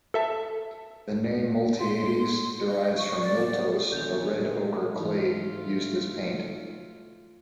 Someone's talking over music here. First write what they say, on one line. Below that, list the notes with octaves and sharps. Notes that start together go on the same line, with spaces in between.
The name "Miltiades" derives from "miltos", a red ochre clay used as paint.
A4 E5 A5
C6
D#5
C#6
D5
E2 A#2 D#3 F#3 B3 D4 C#5 G6
G#2 E3 A3 F4